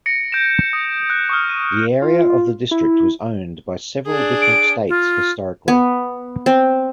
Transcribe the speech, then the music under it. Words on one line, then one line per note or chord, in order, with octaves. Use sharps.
The area of the district was owned by several different states historically.
A#6 C#7 D7
G6 D7 E7
D#6
F#6
C#6 D#6 F6
D#7
F4
E4
D4 G#4
D7
F4
B3
C4